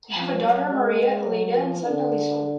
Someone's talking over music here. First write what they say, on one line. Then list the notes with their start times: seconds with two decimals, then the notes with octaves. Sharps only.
They have a daughter, Maria Eladia, and a son, Eliseo.
0.15 F3
0.43 F#3
0.72 G#3
1.00 G#3
1.28 F#3
1.57 F3
1.85 D3